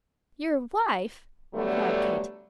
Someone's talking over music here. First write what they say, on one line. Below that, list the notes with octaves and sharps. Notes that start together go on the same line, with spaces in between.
"Your wife!" cried Kate.
D3 F#3 G3 A3 B3